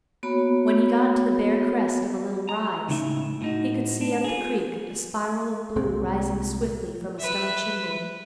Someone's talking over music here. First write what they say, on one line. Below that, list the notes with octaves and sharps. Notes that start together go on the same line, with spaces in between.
When he got to the bare crest of a little rise, he could see up the creek a spiral of blue rising swiftly from a stone chimney.
A#3 B3 F#4 C#5 B5
A#5
C#2 A2 C#3 D#4 E5
A2 D#4 F#4
D4
F4 G#4
C2 A#2 G#3 C4
B4 E5